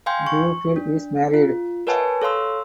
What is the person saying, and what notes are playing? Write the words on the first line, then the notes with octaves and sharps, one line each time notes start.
Duffield is married.
F5 G5 G#5 C6 G6
C#6
D4
F4
A#4 B4 C#5 G#5 A5
A4 C#5 F5 C6 E6